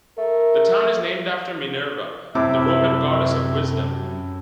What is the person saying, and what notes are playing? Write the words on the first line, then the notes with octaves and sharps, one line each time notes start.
The town is named after Minerva, the Roman goddess of wisdom.
A3 A#4
F#2 A2 C3 E4 E5 D6